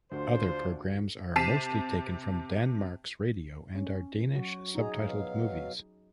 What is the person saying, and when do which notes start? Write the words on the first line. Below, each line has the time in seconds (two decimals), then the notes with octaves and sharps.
The other programmes are mostly taken from Danmarks Radio and are Danish subtitled movies.
0.12 D2 D4 F4 F#4 C5
1.36 C3 A5 B6 C7 D#7 E7
3.75 C#4
4.35 F#3 F#4
4.75 D#4 F#4 G#4 A#5
4.99 B2 F#3 F5